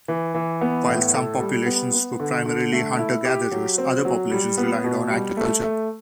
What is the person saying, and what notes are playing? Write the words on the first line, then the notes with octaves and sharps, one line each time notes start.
While some populations were primarily Hunter-gatherers, other populations relied on agriculture.
E3
E3
B3
A2
A4
G3
B3
B3
D3
D3
A3
E4
G4
F#3
C4
F#3
G3
B3
B2
G3
A3
A3